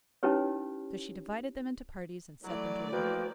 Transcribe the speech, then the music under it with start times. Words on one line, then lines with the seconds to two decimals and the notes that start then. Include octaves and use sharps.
So she divided them into parties and set them to work.
0.23 C#4 D#4 E4 G4 B4 C#5
2.43 E3 F#3 A3 D5
2.93 F3 A#3 F#4 B4 G5